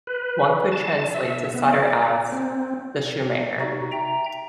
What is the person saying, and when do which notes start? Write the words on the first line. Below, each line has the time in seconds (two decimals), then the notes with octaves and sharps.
One could translate DeSutter as 'The Shoemaker'.
0.07 B4
0.72 A5
1.14 E5
1.54 B3
1.71 D5
2.32 C4
3.60 C3 D#4 F#4
3.92 E5 G5 A#5